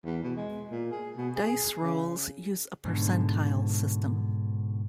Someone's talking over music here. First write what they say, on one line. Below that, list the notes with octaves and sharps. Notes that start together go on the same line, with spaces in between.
Dice rolls use a percentile system.
E2
B2
G#3
A#2
G#4
B2
G#4
C#3
G#2 B2 D3